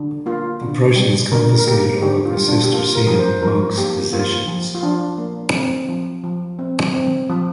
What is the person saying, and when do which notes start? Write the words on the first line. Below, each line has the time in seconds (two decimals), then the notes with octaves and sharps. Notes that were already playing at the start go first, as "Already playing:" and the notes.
The Prussians confiscated all of the Cistercian Monks' possessions.
Already playing: D3
0.26 A#3 F4
0.61 D3
0.96 G3
1.32 D3 A#4
1.59 A#4
1.66 A#3 G4
2.02 D3 G4
2.25 F4
2.37 G3
2.49 D4
2.64 G4
2.72 A#3 F4
2.95 A#4
3.07 F3
3.13 A#4
3.19 C5
3.42 F3 A#4
3.78 A#3 G4
4.12 A#3 F4
4.48 F3
4.75 F4
4.83 F3 D4
5.18 A#3
5.53 C4
5.89 F3
6.24 F3
6.59 C4
6.94 C4
7.30 F3